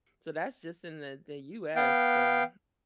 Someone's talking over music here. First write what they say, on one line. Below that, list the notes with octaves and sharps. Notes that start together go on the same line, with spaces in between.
so that's just in the the US, so
B3 F5 G5